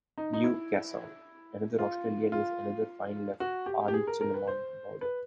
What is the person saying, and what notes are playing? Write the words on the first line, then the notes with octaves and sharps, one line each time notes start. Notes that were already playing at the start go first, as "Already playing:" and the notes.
Beau Casson, another Australian is another fine left arm chinaman bowler.
D#4
D#4
E4
F4
F4
F#4
G4
G4
G#4
A#4
A#4
B4
C5
B4